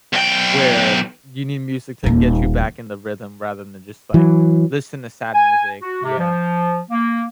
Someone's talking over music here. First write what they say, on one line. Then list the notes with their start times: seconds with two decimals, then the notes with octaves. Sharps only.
where you need music to get you back in the rhythm rather than just, like, listen to sad music. Yeah.
0.13 B1 G5
2.04 D#1 D#3
4.14 E3 F#3
5.34 G#5
5.81 F#4
6.03 C3
6.18 F3
6.90 A#3